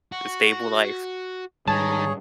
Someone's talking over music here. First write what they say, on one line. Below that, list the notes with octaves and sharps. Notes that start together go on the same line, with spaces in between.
the stable life.
F#4
G#2 D#3 G3 G#4 C#5 A5